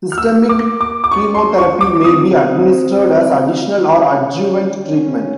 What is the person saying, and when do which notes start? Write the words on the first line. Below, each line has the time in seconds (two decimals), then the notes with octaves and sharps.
Systemic chemotherapy may be administered as additional or adjuvant treatment.
0.12 F6
0.18 A#3 E6
0.49 D6
0.81 D6
1.04 D6
1.11 C#4 C#6
1.35 C6
1.58 C#6
1.81 D6
2.04 C4 D#6
3.91 C#4
4.85 C#4